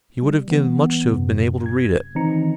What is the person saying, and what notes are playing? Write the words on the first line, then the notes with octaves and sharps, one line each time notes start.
He would have given much to have been able to read it.
G3
E3 B3
F#2 C3
G#6
D#3 E3 C4 D#4 A#5 C#7